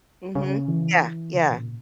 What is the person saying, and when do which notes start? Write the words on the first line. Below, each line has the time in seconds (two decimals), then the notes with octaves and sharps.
Mhm. Yeah, yeah.
0.35 C#3
0.68 E3
1.34 C#3
1.51 A#2